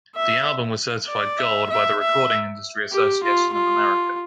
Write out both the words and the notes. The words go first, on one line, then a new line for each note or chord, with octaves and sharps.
The album was certified gold by the Recording Industry Association of America.
E5
D5
E5
E5
E5
G4
F4
F4